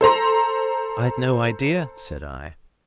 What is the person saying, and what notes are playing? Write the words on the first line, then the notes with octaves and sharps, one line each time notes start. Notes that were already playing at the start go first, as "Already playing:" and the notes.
"I'd no idea," said I.
A4 C5 A#5 C6